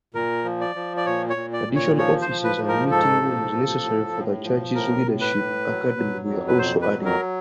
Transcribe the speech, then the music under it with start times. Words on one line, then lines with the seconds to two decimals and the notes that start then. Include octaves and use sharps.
Additional offices and meeting rooms necessary for the church's Leadership Academy were also added.
0.14 A#2 A#4
0.44 F3
0.61 D5
0.75 F3
0.97 D5
1.06 A#2 C#5
1.30 C#5
1.36 A#2
1.53 D5
1.68 A#2
1.75 C#5
1.98 F3 C#5
2.22 C5
2.30 F3
2.44 B4
2.60 G#2
2.68 A#4
2.91 G#2 A4
3.21 F3
3.52 F3
3.83 A2
4.13 A2
4.43 F3
4.74 A2 A#4
5.06 A2
5.21 B4
5.36 A2
5.67 F#3
5.97 F#3
6.28 F2
6.48 B4
6.58 F2 C5
6.82 B4
6.90 F#3
7.05 A#4